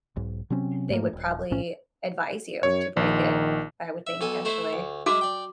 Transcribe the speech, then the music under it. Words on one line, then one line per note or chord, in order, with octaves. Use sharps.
they would probably advise you to break it. I would think, actually.
B1 G#2
C3 F#3 C4 C#4
G#2 A3 A#3
D#1
B1 A2 C#4
F#2 C#5
A#1 D#3
E5
B1 A4 G#5
A3 E4 C5
D2
G#3 E4 F#4 D6
D5 G5